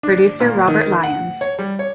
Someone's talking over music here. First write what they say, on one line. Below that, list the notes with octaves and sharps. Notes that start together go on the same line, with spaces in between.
Producer Robert Lyons.
D4
A#2
D#3
F#5
C#5
G3
C#5